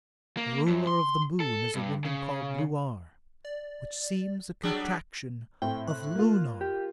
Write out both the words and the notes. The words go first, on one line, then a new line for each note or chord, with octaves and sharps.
"The ruler of the Moon is a woman called Luar, which seems a contraction of Lunar!"
A#3
F#2
C6
A4
G2
C#3
D5
F#3 G3 D4 G#4
A2 C4 G5
F#6
A#3 F4
G4